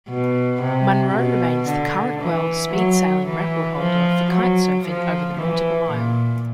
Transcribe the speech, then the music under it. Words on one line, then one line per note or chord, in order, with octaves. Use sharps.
Munro remains the current world speedsailing record holder for kitesurfing over the nautical mile.
B2
C3
B2
D3
E3
F#3
E3
F3
F#3
F3
E3
A#2